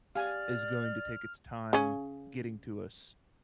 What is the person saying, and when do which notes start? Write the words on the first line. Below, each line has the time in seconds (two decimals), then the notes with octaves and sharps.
is going to take its time getting to us,
0.15 G4 D5 F5 G#5 F6
1.73 C#3 C#4